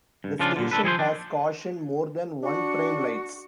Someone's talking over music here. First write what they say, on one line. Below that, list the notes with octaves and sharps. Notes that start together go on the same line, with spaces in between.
The station has Caution More Than One Train lights.
G2
C#3 F3 D4 F4
A#2 D3
A3 D4 A4 B4
F3 G#4 A4 C5
D4
D4 F#4